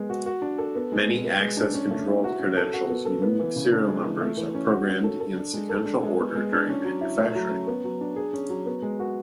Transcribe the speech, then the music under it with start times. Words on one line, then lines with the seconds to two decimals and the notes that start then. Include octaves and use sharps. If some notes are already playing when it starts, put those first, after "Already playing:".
Many access control credentials unique serial numbers are programmed in sequential order during manufacturing.
Already playing: G#3 B3 G#4
0.10 F#4
0.26 F#4
0.42 D4
0.58 A4
0.75 B3
0.92 G#3
1.08 B2
1.25 B3
1.40 G#3
1.57 D4
1.74 C#4
1.91 A3
2.07 E4
2.24 F#4
2.39 C#4
2.57 A4
2.73 F#4
2.90 B3
3.05 A4
3.22 B3
3.39 E3
3.56 C#3
3.72 D4
3.88 G#3
4.04 E3
4.21 A3
4.37 E3
4.55 C#4
4.71 F#4
4.87 C#4
5.04 A4
5.20 A4
5.36 D4
5.54 G#3
5.69 A4
5.85 D4
6.03 G#3
6.18 B3
6.35 G#3
6.53 D4
6.69 C#4
6.84 F#3
7.01 E4
7.18 A3
7.35 F#3
7.51 C#4
7.67 B3
7.84 F#3
8.01 D4
8.16 G#4
8.33 C#4
8.49 F#3
8.66 B3
8.82 G#3
9.00 F#4